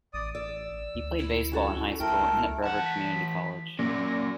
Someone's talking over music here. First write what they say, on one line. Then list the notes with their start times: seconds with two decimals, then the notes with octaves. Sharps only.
He played baseball in high school and at Brevard Community College.
0.14 A1 D5 D#6
0.35 D5 E6
0.95 D2
1.19 E4
1.52 C#4 F#4 A4
2.00 C#2 A3 A#4 G5
2.64 E3 F#5 A5
2.85 B6
3.79 A#2 F#3 C#4 A#6